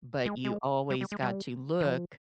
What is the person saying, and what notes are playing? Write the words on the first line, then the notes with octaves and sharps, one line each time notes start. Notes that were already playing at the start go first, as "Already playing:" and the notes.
But you always got to look
G#3
G#3
G3
G3
G#3
G3
D#3
F3